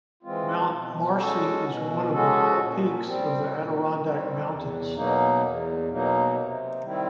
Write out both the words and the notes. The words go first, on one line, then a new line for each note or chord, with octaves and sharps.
Mount Marcy is one of the High Peaks of the Adirondack Mountains.
E3 G#3 C4 F4
B2
G#3 C#4 F#4 A4
B2
G#3 C#4 F#4 A4
A#2
G3 C4
A#2
G3 C4
E2
B2 F#3 A#3 D#4
E2
B2 F#3 A#3 D#4
C3
D#3 G3 C4 E4